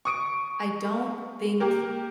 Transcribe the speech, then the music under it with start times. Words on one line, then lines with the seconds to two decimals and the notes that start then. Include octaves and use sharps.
I don't think
0.05 C#6 D#6 D7
1.60 A#3 G4 A#4